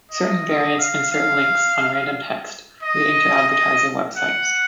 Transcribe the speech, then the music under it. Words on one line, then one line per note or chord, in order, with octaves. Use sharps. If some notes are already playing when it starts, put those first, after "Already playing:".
Certain variants insert links on random text, leading to advertiser websites.
D#5
F5
F5
D#5
D#5
F#5